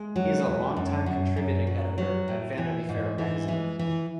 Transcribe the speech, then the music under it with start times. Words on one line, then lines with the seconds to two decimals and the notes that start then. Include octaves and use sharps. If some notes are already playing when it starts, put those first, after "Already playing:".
He is a longtime contributing editor at "Vanity Fair" magazine.
Already playing: G#3
0.16 F#3
0.46 E2
0.76 F#2
1.06 F#2
1.36 F#2
1.67 F#3
1.98 F#3
2.28 A2
2.58 E3
2.89 G#2
3.18 E3
3.48 E3 G#3
3.79 E3